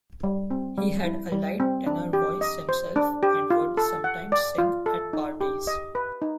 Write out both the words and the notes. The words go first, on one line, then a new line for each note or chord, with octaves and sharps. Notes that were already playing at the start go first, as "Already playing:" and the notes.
He had a light tenor voice himself and would sometimes sing at parties.
G3
C4
G3
E4
G3
C4
D4
G4
D#5
C5
D4
G4
F4
A4
F#5
D5
F4
A4
D#4
G4
D#5
B4
D#4